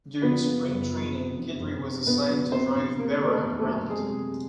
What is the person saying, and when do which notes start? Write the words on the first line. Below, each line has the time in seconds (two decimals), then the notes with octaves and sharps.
During Spring training, Guidry was assigned to drive Berra around.
0.22 F3 B3 B4
0.46 C#3
0.68 F#1
0.91 F3
1.14 C3
1.37 F1
1.60 F1
1.84 C3
2.06 A#1 B3 B4
2.29 F#3
2.52 F#3 C4 C5
2.76 A#1
2.97 C3 A#3 A#4
3.20 D#3 A#4
3.28 A3 A4
3.43 E2
3.59 A3 A4
3.67 F#3
3.89 C3 G#3 G#4
4.12 C3